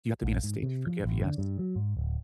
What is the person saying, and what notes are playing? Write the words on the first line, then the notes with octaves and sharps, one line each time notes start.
you have to be in a state to forgive, yes.
A#1
G#2
C3
F3
A1
D3
G2
F#3
G#2
D1